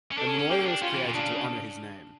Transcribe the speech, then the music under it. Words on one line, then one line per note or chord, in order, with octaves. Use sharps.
A memorial was created to honor his name.
C#4
D4 A4
C#4
C#4
A#3 G4
C#4
D4
C#4 F4
E3
A#2
C#3 D4